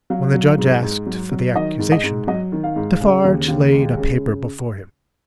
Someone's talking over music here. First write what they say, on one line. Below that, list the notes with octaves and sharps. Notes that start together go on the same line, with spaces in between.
When the judge asked for the accusation, Defarge laid a paper before him.
F#3 F5
F#3
G#2
G#2
F#3
F#3
D#3 D#5
G#2
D#5
G#2
F#3 D#5
D#3
F5
G#2
C#3
D#2
D#2
G#3
C#3